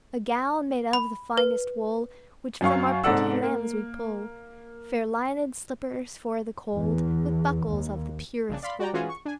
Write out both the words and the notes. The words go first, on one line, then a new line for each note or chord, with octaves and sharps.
A gown made of the finest wool, Which from our pretty lambs we pull, Fair-lined slippers for the cold, With buckles of the purest gold.
B5
B4
F#2 F#3 F5 C#6
G#2 C3 A4 D5 F#5 E6
A#3
E2
D#2
A#1 C#3 D4
D5 F5 B5 C6
F#4 D5 G5 A#5
E3 C#4 F4 F#4 G#4
C#6
D4 G#5